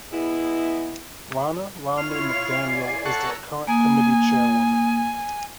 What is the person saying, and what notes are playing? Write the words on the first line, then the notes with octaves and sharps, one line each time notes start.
Ronna Romney McDaniel is the current committee chairwoman.
G#3 B3 E4
E4 F4 C#5 F6 C7
D5 G#5
A4 F#5 A#5 C#6 E6
A#3 G#5 D#6